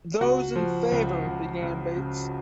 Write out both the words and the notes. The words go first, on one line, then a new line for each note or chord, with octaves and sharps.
"Those in favour..." began Bates.
C#2 F#4
F3
C#2
C#2
C#2
C#3